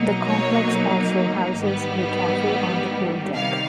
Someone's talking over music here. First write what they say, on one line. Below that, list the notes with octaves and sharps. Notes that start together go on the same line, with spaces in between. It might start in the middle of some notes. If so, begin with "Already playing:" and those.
The Complex also houses a cafe on the pool deck.
Already playing: B2 F#3 A#3 D#4
C#5
G#2 D#3 G3 B3
C3 D#3 G3 F5